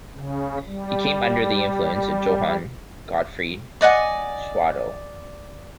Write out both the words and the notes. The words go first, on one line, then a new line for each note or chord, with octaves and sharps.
He came under the influence of Johann Gottfried Schadow.
C#3
G3
D5 D#5 F#5 G#5